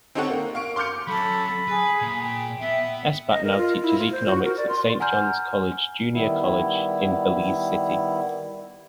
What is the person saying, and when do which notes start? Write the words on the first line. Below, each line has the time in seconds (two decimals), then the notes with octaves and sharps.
Espat now teaches economics at Saint John's College Junior College in Belize City.
0.15 C4 D#4 G4 A4 C#5 F#5
0.30 A#3
0.55 F5 C#6 D7
0.76 C6 D6 F6 G6 C#7
1.08 F#3 C#4 A4 B5
1.68 G#4 B4
2.02 A#2
2.20 G5
2.62 B3 E5
3.30 D#5
3.44 A#4
3.57 F4
3.82 E4
3.99 F4
4.12 C5
4.26 F#4
4.44 A#4
4.57 D5
4.69 C6
5.00 F#5 G#5 A#5 F6 G6
6.14 D#3 G3 B3 E4